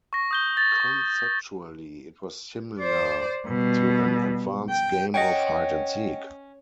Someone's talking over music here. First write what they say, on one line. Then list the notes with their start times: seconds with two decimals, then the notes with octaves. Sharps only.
Conceptually, it was similar to an advanced game of hide and seek.
0.13 C#6 A#6
0.31 D#6 G6 G7
0.57 A6
0.80 C#6
2.79 C5 D5
3.47 B2 G3
4.70 G5
5.14 C#4 D#5 F#5 G5